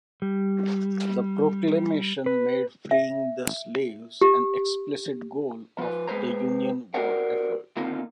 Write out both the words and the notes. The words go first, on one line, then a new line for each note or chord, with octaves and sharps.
The Proclamation made freeing the slaves an explicit goal of the Union war effort.
G3
B4
E5
G4
F3 B4
G#3 B4 C5 A#5
F#4 G4 A#4 C5 D5 F#5
D3 D#3 A#3 C4 D#4 F4